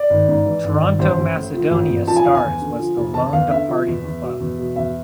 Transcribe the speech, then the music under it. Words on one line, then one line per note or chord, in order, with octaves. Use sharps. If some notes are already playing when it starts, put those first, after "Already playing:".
Toronto Macedonia Stars was the lone departing club.
Already playing: D5
G#1
G#2
E3
G#1
G#1
A1 C5
A1
A2
F3
A1
A1
F3 A5
G#5
F1 F5
G#5
E2
D3
F3
F1
E2 A5
E2 F5
D3 E5
F3
E2
E2
B2
E2
B2
E2 E5